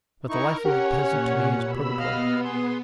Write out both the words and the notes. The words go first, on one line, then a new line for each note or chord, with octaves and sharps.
But the life of a peasant to me is purgatory.
D#4 E4 A#4 C#6
C#4 G4 C#5 F#5
A#2 C#5
B2 B5 E6
B3 D#5 F5 F6
G#4 C6